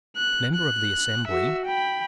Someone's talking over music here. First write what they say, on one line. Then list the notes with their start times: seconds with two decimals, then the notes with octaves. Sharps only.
Member of the Assembly.
0.16 F#6
0.56 F#6
1.27 F#4 E5
1.66 G5 B5